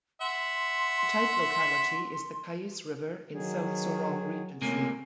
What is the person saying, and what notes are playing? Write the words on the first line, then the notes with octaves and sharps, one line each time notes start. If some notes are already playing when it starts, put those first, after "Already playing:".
The type locality is the Kais River in South Sorong Regency.
E5 F#5 C6
D#3 F#3 G#4
C3 A3 A#3 C#4 G#5